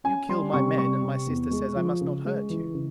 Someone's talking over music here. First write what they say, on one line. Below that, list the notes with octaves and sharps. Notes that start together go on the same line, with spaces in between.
You kill my men, and my sister says I must not hurt you.
C#4 G#5
G3 C6
C3 C#6
G3 C#6
C3
E2
G#3
F3
C#3
G#3
E3
C#3